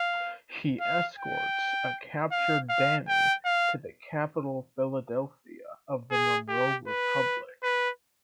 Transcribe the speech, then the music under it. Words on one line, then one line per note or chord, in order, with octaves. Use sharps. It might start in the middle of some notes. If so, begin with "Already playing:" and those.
He escorts a captured Danny to the capital Philadelphia of the Monroe Republic.
Already playing: F5
F5
G5
F5
F5
G5
F5
G#4
G4
B4
B4